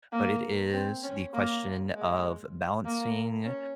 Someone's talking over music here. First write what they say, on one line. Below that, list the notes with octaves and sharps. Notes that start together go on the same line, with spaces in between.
but it is the question of balancing
A#3
C4
C#4
A#3
G#3
A#3
C#4